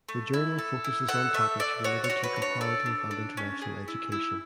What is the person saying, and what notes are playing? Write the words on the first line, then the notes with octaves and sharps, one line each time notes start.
The journal focuses on topics related to comparative and international education.
A3
E4
A4
E4
A4 F#5
A3 E5
A4 D5
F#4 C#5
C#5
F#4
B4
D4
C#5
A4 D5
D4
D4
C#4
G#4
E4
E4